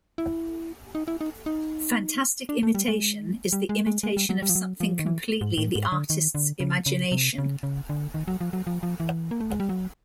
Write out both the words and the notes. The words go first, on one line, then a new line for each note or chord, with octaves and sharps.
Phantastic imitation is the imitation of something completely the artist's imagination.
E4
D#4
E4
D#4
D#4
D4
A3
G3
G#3
G3
G#3
G#3
G#3
G3
F#3
G3
F3
F#3
F3
D#3
E3
G#2
A2
G#2
D3
D#3
D3
C#3
C#3
C3
C#3
C#3
D3
D#3
F#3
F3
F#3
F3
F3
E3
A#3
A3
G#3
G3
F#3